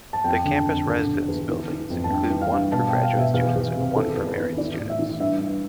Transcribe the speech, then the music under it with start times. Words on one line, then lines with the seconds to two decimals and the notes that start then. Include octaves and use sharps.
The campus residence buildings include one for graduate students and one for married students.
0.13 A5
0.24 F2 G5
0.45 D3
0.55 A5
0.66 F2
0.87 D3
1.07 D3
1.28 E2
1.49 E3
1.70 E3
1.90 F2
2.04 A5
2.10 G2 G5
2.31 E3
2.41 F5
2.52 G2
2.72 B2 A5
2.88 B2 G5
3.03 F5
3.13 B2
3.19 E5
3.34 E2 F5
3.55 E2
3.75 C3
3.92 B4
3.96 E3 A4
4.17 E2
4.27 B4
4.37 E3
4.57 E3 D5
4.79 A2
4.90 E5
4.99 E3
5.20 G2 E5
5.41 G2